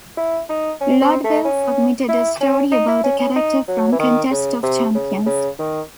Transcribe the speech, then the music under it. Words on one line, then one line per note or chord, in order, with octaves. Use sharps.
Lobdell submitted a story about a character from Contest of Champions.
E4
D#4
C#4
C4
A3
C#4
E4
C#4
D#4
E4
C#4
C#4
D#4
F#3
E3
D#3
C#3
C3
C#3
C#3
D#3